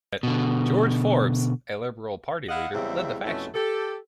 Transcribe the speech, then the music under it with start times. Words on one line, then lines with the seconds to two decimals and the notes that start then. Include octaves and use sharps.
George Forbes, a Liberal Party leader, led the faction.
0.23 B2 D3
2.49 E4 D#5 F5 F#5
2.74 E2 C#3 G3 G#3 C4 E5
3.24 F2 B2 A3 C#4 E4
3.54 G4 A4